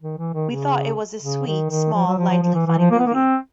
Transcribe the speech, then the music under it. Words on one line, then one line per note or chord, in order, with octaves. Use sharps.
We thought it was a sweet, small, lightly funny movie.
D#3
E3
D#3
C#3
C#3
D#3
D#3
F3
F#3
F3
F3
F3
E3
E3
F3
A#3
B3
A#3
C4